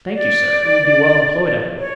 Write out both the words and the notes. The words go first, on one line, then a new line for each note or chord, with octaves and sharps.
"Thank you, sir; it will be well employed, I hope."
D5
C#5